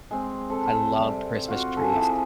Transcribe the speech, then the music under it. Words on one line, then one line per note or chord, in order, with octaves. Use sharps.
I love Christmas trees.
G#3 C4
C4 A4
C3 G3
F4 F#4
A4 G#5
F3 E4 G#4 D6